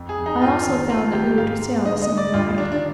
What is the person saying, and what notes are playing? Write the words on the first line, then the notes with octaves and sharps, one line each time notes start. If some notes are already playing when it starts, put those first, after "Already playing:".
I also found that we were to sail the same night.
Already playing: F2
G#4
F2
D#4
G#2 F4
D#3
D#3 F4
D#3 G4
G#2 F5
G#2
D3 D#5
D#5
D3
D5
G2 F4
D#3 D4
D4